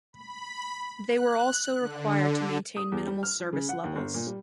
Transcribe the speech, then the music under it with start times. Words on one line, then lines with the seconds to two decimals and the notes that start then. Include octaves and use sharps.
They were also required to maintain minimal service levels.
0.13 B5
1.06 F#6
1.80 D3
2.77 D#6
2.92 E2
3.07 G3
3.23 F6
3.40 F3
3.53 C#3
3.69 F#5
3.84 D#2
3.96 G1
4.14 A#2
4.27 G3